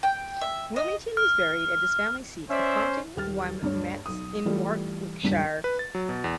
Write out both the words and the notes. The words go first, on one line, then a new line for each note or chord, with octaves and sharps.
Wilmington was buried at his family seat of Compton Wynyates in Warwickshire.
G5
E5
D#5
F6
C#4 C5 D5 E5
D#1 G4 F6 A6
D2 G2 D3 C#5
B1 D#6
E3 G3 A3 F4
D#1 C#2 G2 G3 D4 B6
B4
A6
F#3
B2
E2